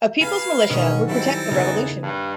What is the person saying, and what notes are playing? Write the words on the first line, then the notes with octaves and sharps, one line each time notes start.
A "people's militia" would "protect the revolution".
B4 F5 G#5 A5
G#2 B2 D#3 C#4 D#5
F#3 G3 C4 E4 A4
E2 C#3 B3 D#4 A#4 G#5
G2